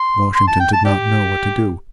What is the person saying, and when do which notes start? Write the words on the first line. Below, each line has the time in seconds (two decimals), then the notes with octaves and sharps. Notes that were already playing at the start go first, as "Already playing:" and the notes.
Washington did not know what to do.
Already playing: C6
0.35 C6
0.48 A5
0.60 G5
0.73 A5
0.85 D4 G4